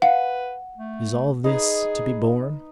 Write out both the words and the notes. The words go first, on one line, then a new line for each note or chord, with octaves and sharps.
Is all this to be borne?
B4 F5 F#5
A3
D#4 G#4 B4